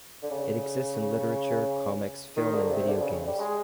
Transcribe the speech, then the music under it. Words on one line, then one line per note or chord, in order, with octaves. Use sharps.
It exists in literature, comics, film, and video games.
D3
C#3
D#3
D3
C3
D3
C#3
G3
G#3